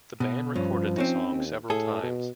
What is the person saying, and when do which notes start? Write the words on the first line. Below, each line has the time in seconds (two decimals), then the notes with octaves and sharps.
The band recorded the song several times.
0.20 B2
0.56 G2 F3 C#4
0.96 C4 C#4 D#4
1.31 D#2
1.70 A2 G#4 A4
2.03 B2